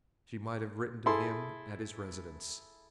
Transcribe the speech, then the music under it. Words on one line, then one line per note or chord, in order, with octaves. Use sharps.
She might have written to him at his residence.
E4 G#4 A4 C6